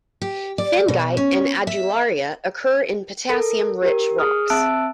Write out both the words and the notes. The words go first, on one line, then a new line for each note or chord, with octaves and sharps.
Phengite and adularia occur in potassium rich rocks.
G4
D5
B2
C#4
E5
A4 A#4
G4 A#4
G#4 D#6 F6
C4 E5 A5 E6 F#6 D7